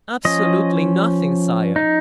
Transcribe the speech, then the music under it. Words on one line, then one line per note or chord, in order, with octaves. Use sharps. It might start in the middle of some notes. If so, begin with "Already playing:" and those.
"Absolutely nothing, sire."
F3 C#4 D#5
D#4